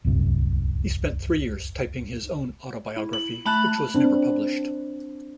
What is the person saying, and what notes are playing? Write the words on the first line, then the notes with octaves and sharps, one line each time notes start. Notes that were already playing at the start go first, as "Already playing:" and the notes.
He spent three years typing his own autobiography, which was never published.
D1 C2 F#2
E4
F#7
A3 A5 B5 F#6
C4 D4